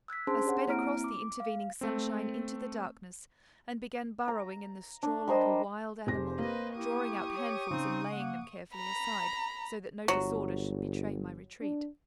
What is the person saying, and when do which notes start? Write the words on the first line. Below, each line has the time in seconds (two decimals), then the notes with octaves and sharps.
I sped across the intervening sunshine into the darkness, and began burrowing in the straw like a wild animal, drawing out handfuls and laying them carefully aside, so that no disorder should betray my retreat.
0.08 E6 F#6 G#6 B6
0.27 C#4 D4 G#4 C5 A5 C6
0.46 G4 C#5 F#5
0.67 A#3 C4 E4 A#5 F6 D7
1.04 D6
1.40 F5
1.81 A3 C4
4.28 A#5
5.03 D4
5.28 G3 A#4 C5 D#5
6.07 F1 G4 G#4 C5 A#6
6.39 A#3 B4 D#5
6.76 E4 G4 C#6 D#6
7.37 C#5
7.70 C#3 C4 D#4
8.12 A#3 F#5
8.75 A#5 B5
10.08 G1 F#3
11.62 D4